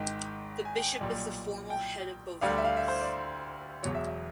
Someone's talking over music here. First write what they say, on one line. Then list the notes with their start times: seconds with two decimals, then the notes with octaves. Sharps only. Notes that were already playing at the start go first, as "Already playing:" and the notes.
The bishop is the formal head of both of these.
Already playing: G#1 G#2 D#3 G#3 G5
0.65 G#5
0.76 G5
0.88 G#5
1.01 B1 A#2 G3
1.70 G5
2.41 D2 D3 G3 F5
2.58 E5
2.65 F5
2.77 E5
2.88 C5
3.01 D5
3.83 E1 E2 B2 F#3 C#5
3.95 E5
4.07 E5